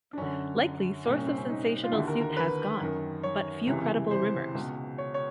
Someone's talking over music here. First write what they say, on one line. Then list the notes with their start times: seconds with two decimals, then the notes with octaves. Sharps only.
Likely source of sensational suit has gone, but few credible rumors.
0.13 D4
0.17 F#2 D3 C#4
1.05 C2 A#2
1.16 C#4
1.27 C4
1.38 C#4
1.49 D#4
1.83 F4
1.92 D#2 D3 E4
2.07 A#4
2.21 A#4
2.37 B4
2.80 F#2 D#3
3.23 C#5
3.67 C#2 C3 E3
4.11 C5
4.55 C#2 B2
4.98 C#5
5.14 C#5